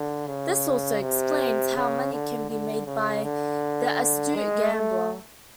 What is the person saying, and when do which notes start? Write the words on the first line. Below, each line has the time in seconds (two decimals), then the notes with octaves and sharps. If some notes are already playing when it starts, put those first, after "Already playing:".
This also explains how money can be made by the astute gambler.
Already playing: D3
0.27 C#3
1.01 C3
1.76 C#3
2.12 D3
2.50 D3
2.87 C#3
3.24 D3
4.36 G#3
4.72 A3